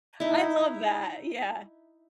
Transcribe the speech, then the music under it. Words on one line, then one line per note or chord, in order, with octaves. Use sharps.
I love that. Yeah.
D#4 E4